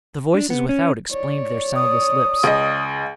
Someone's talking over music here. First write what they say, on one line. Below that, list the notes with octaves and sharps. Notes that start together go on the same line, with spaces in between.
The voices without explained their soundless lips.
D4
B3
C#4
C#5 D5
D#6
C#2 D#5